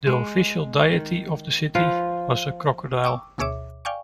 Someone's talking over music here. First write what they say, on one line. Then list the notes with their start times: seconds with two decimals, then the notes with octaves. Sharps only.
The official deity of the city was a crocodile.
0.07 G#3
0.93 D#3
1.75 F3 F4 B4 F5
3.04 G5 C#6 D6 E6
3.38 D2 B2 G#4 C#5 E5 D6
3.85 D5 F5 G5 G#5 C#6